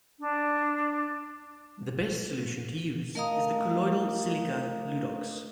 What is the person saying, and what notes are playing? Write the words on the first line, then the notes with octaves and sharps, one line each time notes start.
The best solution to use is the colloidal silica, Ludox.
D4
A3 A#4 D#5 F5 A#5 D#6